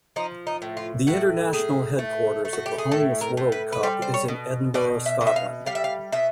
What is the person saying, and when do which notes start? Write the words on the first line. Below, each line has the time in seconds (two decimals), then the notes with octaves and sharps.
The international headquarters of the Homeless World Cup is in Edinburgh, Scotland.
0.16 F3 D#4
0.47 D#4
0.62 A2
0.77 F4
1.07 A2 F#4
1.53 A2 G#4
1.99 A3
2.45 A3
2.53 F#4
2.66 G4
2.78 G#4
2.91 A2 A4
3.21 A#4
3.37 A2
3.52 B4
3.72 B4
3.83 G3 C5
4.02 C5
4.14 C#5
4.28 B2
4.74 B2 D5
5.06 E5
5.21 B2
5.27 E5
5.36 F5
5.66 G3 F5
5.75 E5
5.84 F5
6.12 B2 E5